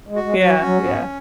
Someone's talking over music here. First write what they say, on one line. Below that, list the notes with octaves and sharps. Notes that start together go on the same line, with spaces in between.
Yeah, yeah.
G#3
F#4
G#3
F#3 F#4
F#3 C#4
G#2 B3